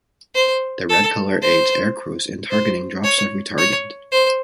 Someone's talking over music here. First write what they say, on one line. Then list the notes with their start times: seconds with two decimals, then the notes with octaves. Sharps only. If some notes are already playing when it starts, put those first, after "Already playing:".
The red color aids aircrews in targeting drops of retardant.
0.35 C5
0.89 A4
1.42 C5
2.50 C5
3.04 C#5
3.58 C#5
4.12 C5